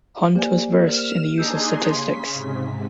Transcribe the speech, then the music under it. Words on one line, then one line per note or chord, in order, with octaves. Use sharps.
Hunt was versed in the use of statistics.
A#3 G4 C5 D5 G#5
A#4 C5 D5 F6 E7
D4 D#4 G#4 D#5 G#5 C6 E6 G6
C#3 C6 B6
G#2 C3